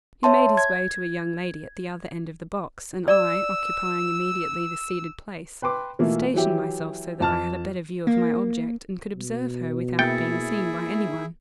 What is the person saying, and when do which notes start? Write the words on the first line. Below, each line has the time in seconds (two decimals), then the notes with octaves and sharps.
He made his way to a young lady at the other end of the box; and I, occupying immediately the ceded place, stationed myself so that I had a better view of my object, and could observe her without being seen by any one.
0.23 C#5 E5 A5 C6
0.57 G#6
3.08 D5 E6
5.62 B4 G5 C6 D6
5.99 B2 E3 A3 A#3 E4 F4
6.34 E3 F#3 E4 G4
7.20 F2 A5 F6
8.07 A#3
9.15 B2
9.99 A#3 E4 G#4 E5 G5 A6 C#7